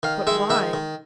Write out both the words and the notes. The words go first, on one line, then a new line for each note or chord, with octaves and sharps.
But why?
D#3 F5
G#3 E5
D#3 E5
D#3